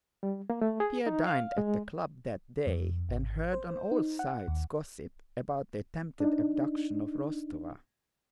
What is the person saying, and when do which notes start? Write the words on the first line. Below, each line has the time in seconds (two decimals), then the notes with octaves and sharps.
Pierre dined at the club that day and heard on all sides gossip about the attempted abduction of Rostova.
0.23 G3
0.50 A#3
0.61 A3
0.80 G#4
1.06 D#4
1.27 F5
1.58 G#3
2.66 F2
3.09 G#1
3.53 C5
3.92 D#4
4.19 F#5
4.48 D#2
6.20 D4 D#4